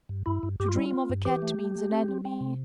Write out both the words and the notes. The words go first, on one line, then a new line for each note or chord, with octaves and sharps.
To dream of a cat means an enemy.
G2
G2 E4
G2
G2 G4
F4
G3 E4
F4
C4
G2
E3 G4
A3
A3
A3
C4
C4
C4
C3